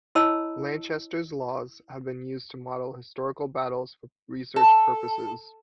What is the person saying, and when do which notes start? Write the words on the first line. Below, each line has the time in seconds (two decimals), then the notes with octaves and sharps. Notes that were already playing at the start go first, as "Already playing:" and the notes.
Lanchester's laws have been used to model historical battles for research purposes.
0.15 E4 C#5 D#5 A5 B5 E6
4.56 A4